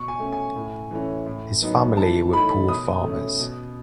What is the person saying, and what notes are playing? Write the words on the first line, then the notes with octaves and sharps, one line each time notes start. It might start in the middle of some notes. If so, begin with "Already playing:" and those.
His family were poor farmers.
Already playing: B2 C#6
G#5
A3 C#4
G#5
A2
E3 A3 C#4
A2
F#3 B3 D#4
E3 A5
A3 D#4 B5
B2 D#6
A3 C#4
B2